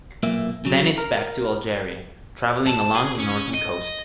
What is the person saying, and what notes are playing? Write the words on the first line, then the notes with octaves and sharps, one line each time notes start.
Then it's back to Algeria, travelling along the northern coast.
B1 A#2 A#3 E5
C#3 F#3
A#4
A5
G#4
C#4
D#5